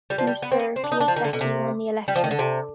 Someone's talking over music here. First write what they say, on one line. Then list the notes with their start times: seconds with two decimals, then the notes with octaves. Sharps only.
Mr. Piasecki won the election.
0.10 G3
0.18 F3
0.27 G3
0.42 B3
0.52 C4
0.59 B3
0.76 C4
0.84 D4
0.92 D#4
1.00 D4
1.08 F3
1.16 D#3
1.24 D3
1.33 B2
1.41 C3
2.08 G3
2.16 F3
2.24 D#3
2.31 D3
2.39 C3